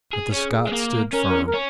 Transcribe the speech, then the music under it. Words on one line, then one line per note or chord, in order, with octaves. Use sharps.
But the Scots stood firm.
G#4
C#4 G#4
G#3
A#3
C#4 A#4
A#4
A#4
C#4